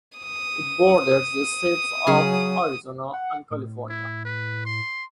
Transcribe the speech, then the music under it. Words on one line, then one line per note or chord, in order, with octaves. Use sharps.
It borders the states of Arizona and California.
D#6
C#3 F#3 G#4
F#5
A2
E4
B4
C6